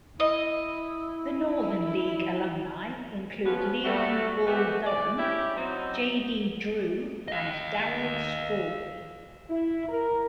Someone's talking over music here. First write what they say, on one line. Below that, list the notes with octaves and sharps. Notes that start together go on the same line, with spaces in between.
The Northern League alumni include Leon "Bull" Durham, J. D. Drew, and Darryl Strawberry.
E4 D#5
F3 B3 C#4
G3 A3 F#4
G#2 G#3 A3 B3 F#4 G4
D5
C#4 E4 G4
F#3 C4 D#4
D#5 F5
E4
A#4